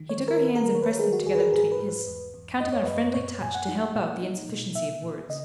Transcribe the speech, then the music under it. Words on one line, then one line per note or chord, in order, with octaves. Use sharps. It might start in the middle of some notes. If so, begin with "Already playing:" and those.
He took her hands and pressed them together between his, counting on a friendly touch to help out the insufficiency of words.
Already playing: D#3
C#5
D#3
A#4
D#3 B4
A#4
D#3 C#5
B4
A#4
D#4 G#4
F#4
E2 G#4
B4
A#4
G#2 G#4
B4
G#2
B4
E2
E2
F#2 D#5
C#5
F#2 B4
C#5
A#2 C#5
A#2 G#5
F#5
D#4
A#2
D#4
B2
A#2 E5
A#2
C#3 D#5